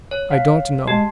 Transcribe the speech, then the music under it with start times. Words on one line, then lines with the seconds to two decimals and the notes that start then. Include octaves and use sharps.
'I don't know.
0.11 C#5
0.30 F5 B6
0.88 G#3 G4 A5